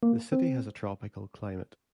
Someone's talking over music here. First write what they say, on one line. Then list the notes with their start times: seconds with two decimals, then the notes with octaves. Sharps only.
The city has a tropical climate.
0.03 A#3
0.32 C4